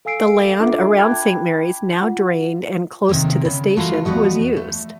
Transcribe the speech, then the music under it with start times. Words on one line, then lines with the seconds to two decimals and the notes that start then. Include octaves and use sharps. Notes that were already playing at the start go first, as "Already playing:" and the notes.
The land around Saint Mary's, now drained and close to the station was used.
0.05 A4 F5 G#5 E6 C7 D7
0.60 D4 F4 A4 E5 D6
0.97 G5 A5 B5 D6 F#6 G#6
1.98 F4 F#5
3.09 C3 D#3 F3 A3 A#3
3.45 C#3
3.76 E3 G#3 A#3 F4 F#4 A4
4.05 E2 E3 F3 F#4 D#5
4.57 A3